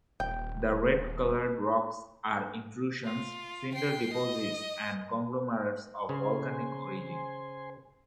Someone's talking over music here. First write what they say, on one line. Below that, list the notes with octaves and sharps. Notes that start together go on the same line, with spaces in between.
The red colored rocks are intrusions, cinder deposits and conglomerates of volcanic origin.
D#1 G5
F4
G5 C7
D#5
C#3 C5 G#5 C6